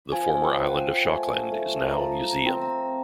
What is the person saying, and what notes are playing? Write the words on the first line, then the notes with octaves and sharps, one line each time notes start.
The former island of Schokland is now a museum.
F3 G#5
G5
F3
F#5
G5
A3 G#5
A3
A#5
F3 A5
A#5
C4
A#5